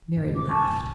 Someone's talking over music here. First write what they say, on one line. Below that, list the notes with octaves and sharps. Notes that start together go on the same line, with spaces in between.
Mary laughed.
G2 A#2 C#3
D6
C#3 G#5 A5 C#6
F2 B2
F#1 C2